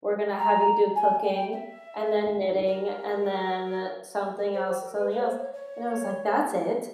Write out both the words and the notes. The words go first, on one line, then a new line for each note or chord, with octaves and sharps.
we're gonna have you do cooking and then knitting and then something else and something else." And I was like, "That's it?
A#5
G#5
G5
E5
A#4
A#4
C5
C5
A#4
B4
B4
C#5
C5
C#5
C#5